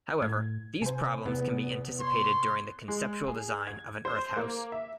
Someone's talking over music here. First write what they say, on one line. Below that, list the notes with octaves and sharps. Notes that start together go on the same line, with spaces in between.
However, these problems can be anticipated during the conceptual design of an earth house.
A2 G#6
C3 C5 G#5
E2 C3 B3
C#5 C6
G#3
G#4
G#6
C5
A#3
E5